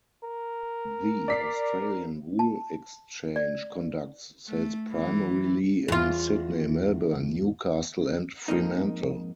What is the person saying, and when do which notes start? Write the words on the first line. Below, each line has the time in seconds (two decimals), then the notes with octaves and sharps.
The Australian Wool Exchange conducts sales primarily in Sydney, Melbourne, Newcastle, and Fremantle.
0.25 A#4
1.28 D5 B6 C7
2.39 A5
3.36 D5
4.49 A3
4.92 E3
5.88 E2 F4
8.48 F2 G#2 A#3 D#4